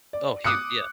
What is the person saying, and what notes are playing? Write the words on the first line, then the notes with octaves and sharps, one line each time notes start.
Oh, he w yeah.
D5
D6 D#6 F#6 C#7